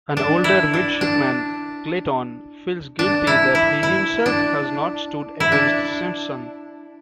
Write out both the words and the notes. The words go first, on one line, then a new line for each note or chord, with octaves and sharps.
An older midshipman, Clayton, feels guilty that he himself has not stood against Simpson.
D4
E4
D4
D4
D4
E4
E4
E4
D4
E4
D4